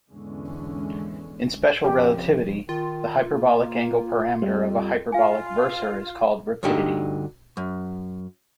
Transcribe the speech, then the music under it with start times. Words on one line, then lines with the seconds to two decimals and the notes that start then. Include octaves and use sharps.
In special relativity, the hyperbolic angle parameter of a hyperbolic versor is called rapidity.
0.12 G#1 E2 D3 E3 G#3 C#4
1.84 F2 C#3 F3 G4
2.69 D#3 F4
3.31 A#3
4.42 F2 G3
5.12 F4 F5 G#5
6.63 D2 G2 D3 D#4 G4
7.57 F#2